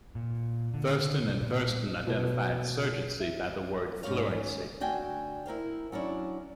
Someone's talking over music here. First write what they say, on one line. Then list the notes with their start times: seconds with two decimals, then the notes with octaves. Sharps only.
Thurstone and Thurstone identified surgency by the word "fluency".
0.15 A#2
0.74 D3
1.21 B2
1.42 A#2
2.07 B2
3.20 E5
4.03 G#2 C#4 C#5 F5
4.80 D2 D4 F#4 G5 G#5
5.46 E4 A#4 C5 F5
5.92 F#3 C#4 D4 E4